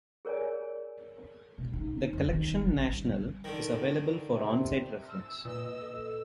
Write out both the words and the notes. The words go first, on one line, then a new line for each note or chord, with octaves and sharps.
The "Collection nationale" is available for on-site reference.
G#4 A#4 C#5 D5 G#5
B2
D#4
F2
D#3
G1
A1
G3
D3 D#3
C3
E6
A#2 B4 D#5 E6
A4